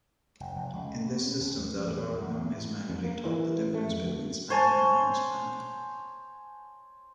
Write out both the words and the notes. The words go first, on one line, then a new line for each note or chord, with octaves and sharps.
In this system, the algorithm is manually taught the differences between spam and non-spam.
F1
F1
C#2
B2
C#4
D#2
F3
E2
F#2
E2
A2
F2
A#3
E3
A1
A3
F2
D2
C5 C#5 G#5 A5